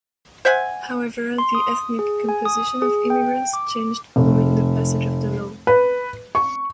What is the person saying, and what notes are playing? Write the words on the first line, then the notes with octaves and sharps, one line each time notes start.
However, the ethnic composition of immigrants changed following the passage of the law.
C5 E5 F#5 G#5
C6
D#6
G#4
G#5
D#6
G#4
G5
D6
F1
B4
C#6